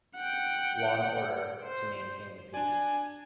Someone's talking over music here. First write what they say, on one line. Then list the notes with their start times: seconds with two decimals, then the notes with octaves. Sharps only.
Law and order to maintain the peace.
0.16 F#5 G5
1.64 C5
2.54 D4 D5 G#5